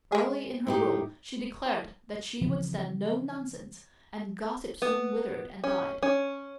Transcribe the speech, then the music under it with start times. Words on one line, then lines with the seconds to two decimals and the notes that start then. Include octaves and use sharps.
Early in her rule she declared that she would stand no nonsense, and gossip soon withered and died.
0.12 G#3 G#4
0.67 A2 D#4 G4
2.41 C#3 E3 F3 C4
4.82 B3
5.64 C#4
6.03 C#4